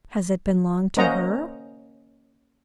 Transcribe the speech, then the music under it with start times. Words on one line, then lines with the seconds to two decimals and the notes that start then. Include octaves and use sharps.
Has it been long to her?
0.97 A#3 C#4 C5 D#5 F#5 A#5